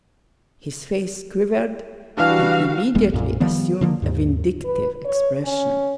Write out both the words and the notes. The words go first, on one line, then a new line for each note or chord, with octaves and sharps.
His face quivered and immediately assumed a vindictive expression.
E3 G3 D4 F#4 F5
D#1 G#3 B3
B1 F#2 A#2
D#3 F3 G3 B3
D3 F3 A3 A#3
D#2 G#2
B4
C#5
C#4